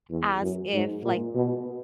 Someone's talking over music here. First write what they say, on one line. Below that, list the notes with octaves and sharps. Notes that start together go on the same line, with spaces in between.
as if, like,
E2
F#2
G#2
A#2
B2